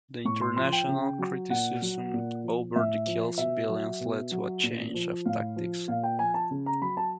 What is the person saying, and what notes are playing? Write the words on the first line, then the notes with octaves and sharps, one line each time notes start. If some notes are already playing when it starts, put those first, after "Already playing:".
The international criticism over the killed civilians led to a change of tactics.
A2 C#6
C6
F3 C6
G5
C#3
F#3
A#2 F#5
F#3
A#2
F3
A2 E5
F3
B2 E5
F#3
B2
F#3
A#2
F3
A2 F5
F3
A#2 F5
G5
F3 G#5
A5
C#3
A#5
F#3 B5
A5